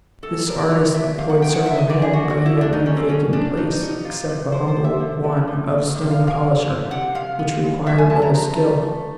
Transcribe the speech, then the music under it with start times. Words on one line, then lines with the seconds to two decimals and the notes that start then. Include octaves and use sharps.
This artist employed several men, but he had no vacant place except the humble one of stone polisher, which required little skill.
0.23 E2 A4
0.47 C3 A#4
0.58 D5
0.71 E2 C#5
0.94 C3 E5
1.18 E2 F5
1.30 F#5
1.41 C3 G5
1.54 F#5
1.65 E2 E5
1.78 D#5
1.89 F3 D5
2.02 G#4
2.13 B3 F#4
2.30 F#4
2.37 G3
2.46 E4
2.61 G3 D4
2.73 D#4
2.85 B2 C#4
2.97 C4
3.09 B2 C#4
3.33 B2 D4
3.57 G3 D#4
3.72 D#4
3.81 B3
3.88 D#4
4.05 C3 F4
4.29 C3
4.52 F3 C5
4.68 C5
4.76 C3
4.84 E5
5.00 C3
5.24 F3
5.47 C3
5.71 A3
5.95 C3
6.11 F5
6.20 G#3
6.27 F5
6.43 G#3
6.67 E3
6.90 C3 F#5
7.15 G#3 F5
7.39 B3
7.63 G#3
7.86 F#2 E5
7.98 G#5
8.10 F3 A5
8.22 A#5
8.34 F3 A#5
8.58 A3
8.82 A3